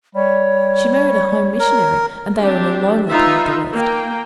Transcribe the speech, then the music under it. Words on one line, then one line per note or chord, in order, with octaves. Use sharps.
She married a home missionary, and they are in a lonely part of the west.
G3 C#5
A#4
C4 D4 G4
D#4 F4 B4 E5
A#3 G5